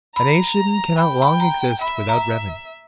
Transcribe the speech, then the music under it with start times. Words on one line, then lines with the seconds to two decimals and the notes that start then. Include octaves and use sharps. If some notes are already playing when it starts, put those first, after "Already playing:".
A nation cannot long exist without revenues.
0.16 A#5 B5
0.98 G5 B5
1.22 B5
1.40 A#5
1.81 E5 B5
2.09 A#5